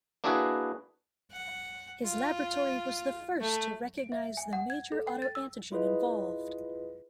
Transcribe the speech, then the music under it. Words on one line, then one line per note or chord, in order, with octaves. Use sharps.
His laboratory was the first to recognise the major auto-antigen involved.
A#3 D4 E4 F#4 G#4 B4
F#5
F4
A3
D7
E5
G#5
F#5
G#6
A4
G5
A6
E6
E4 F4 G#4 B4 D#5